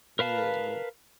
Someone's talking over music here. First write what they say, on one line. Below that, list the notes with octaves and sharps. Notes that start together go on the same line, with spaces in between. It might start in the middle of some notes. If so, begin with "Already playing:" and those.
Yeah man,
A#4 B4 F5 A5